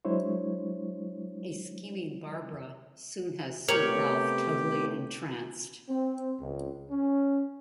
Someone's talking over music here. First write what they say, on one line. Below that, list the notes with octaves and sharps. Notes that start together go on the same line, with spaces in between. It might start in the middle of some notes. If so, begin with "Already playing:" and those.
A scheming Barbara soon has Sir Ralph totally entranced.
F#3 G#3 D4 E4 C5 C#5
C3 A3 B3 G4 A#4 C#5 D5
C4
C#2
C#4